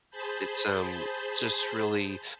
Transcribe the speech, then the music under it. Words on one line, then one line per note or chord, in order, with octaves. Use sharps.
it's, um, just really
G#4 C5 A5 B5 G6